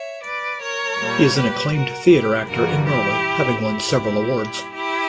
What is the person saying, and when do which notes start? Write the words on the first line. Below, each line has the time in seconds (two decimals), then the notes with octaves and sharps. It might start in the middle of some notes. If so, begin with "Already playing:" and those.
He is an acclaimed theatre actor in Norway, having won several awards.
Already playing: C#5 E5
0.23 B4 D5
0.61 A#4 C#5
0.98 A#2 G3
1.36 G4 B4
1.73 F#4 A#4
2.11 E4 G4
2.48 G2 E3 G3 F#4 A#4
2.86 E4 G4
3.61 E4 G4
3.98 A#2 G3
4.73 E4 G4